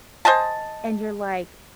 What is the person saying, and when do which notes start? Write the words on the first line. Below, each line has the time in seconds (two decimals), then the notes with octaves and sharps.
and you're, like,
0.25 C5 D#5 G#5 A5